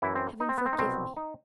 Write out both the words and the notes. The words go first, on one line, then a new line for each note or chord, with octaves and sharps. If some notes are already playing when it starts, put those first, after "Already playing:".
Heaven forgive me!'
F#2 E3 E4
C4
D#4
C4
B3
C4
D#4
C2 B2 F#3 C4
D#4